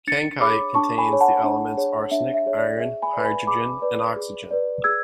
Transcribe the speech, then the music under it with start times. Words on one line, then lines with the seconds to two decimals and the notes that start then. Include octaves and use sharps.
Kankite contains the elements arsenic, iron, hydrogen and oxygen.
0.07 D4 A6 C#7
0.41 G#4 C#5 B5 D6
0.75 D4 A5 C#6
0.98 G#5 B5
1.09 G#4 C#5
1.21 F#5 A5
1.44 D4
1.77 G#4 C#5
2.11 D4 E5
2.34 E5
2.46 G#4 C#5
2.58 D5
2.79 G#4 E5
3.02 G#5 B5
3.13 B4 D5
3.25 G#5 B5
3.47 G#4 B5 D6
3.82 B4 D5
4.16 G#4
4.51 B4 D5
4.84 G#4 E6 G#6